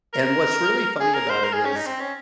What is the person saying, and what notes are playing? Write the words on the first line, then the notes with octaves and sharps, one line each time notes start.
and what's really funny about it is
A#4
G#4
A#4
C5
A#4
G#4
C#4
D#4
C4
C#4